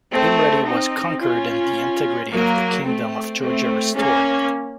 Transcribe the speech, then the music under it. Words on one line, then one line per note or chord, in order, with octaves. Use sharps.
Imereti was conquered and the integrity of the Kingdom of Georgia restored.
A3 C4
C4 D#4
C#4 F4
F#3 A#3
A3 C4
A3 C4
A#3 C#4